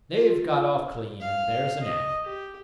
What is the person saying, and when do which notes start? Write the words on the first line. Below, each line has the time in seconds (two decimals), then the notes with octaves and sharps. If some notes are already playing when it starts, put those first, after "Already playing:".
They've got off clean, and there's an end.
0.17 F4
1.20 F5
1.82 D#5
2.24 G4